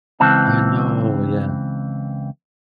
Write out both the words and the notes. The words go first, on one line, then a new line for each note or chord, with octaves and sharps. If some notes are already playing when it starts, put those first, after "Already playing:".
I know, yeah.
C#2 E3 C4 A5